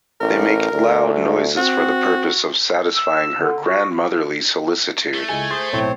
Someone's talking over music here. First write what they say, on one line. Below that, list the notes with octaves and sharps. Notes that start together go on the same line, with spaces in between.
They make loud noises for the purpose of satisfying her grandmotherly solicitude.
A1 A#4
D2
C4 F#4
E6
D3
F#4
A3
C#2 G#3 E4 G#5
G#4 C5 A6
B1 A2 C4 C5 C#5